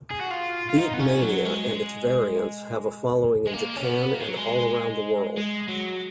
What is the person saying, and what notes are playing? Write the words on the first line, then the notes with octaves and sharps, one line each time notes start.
"Beatmania" and its variants have a following in Japan and all around the world.
G#4
F#4
F4
F4
D#4
B3
C#4
F#3
G#3
G#3
A#3
C#4
B3
A#3
G#3
F#3
G#3
G#3
F#3